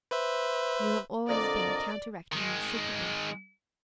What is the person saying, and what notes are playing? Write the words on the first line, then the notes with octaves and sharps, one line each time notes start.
You have always been counteracting me secretly.
B4 C5 E5
F2 D3 A#4 D5 D#5
D#3 G#3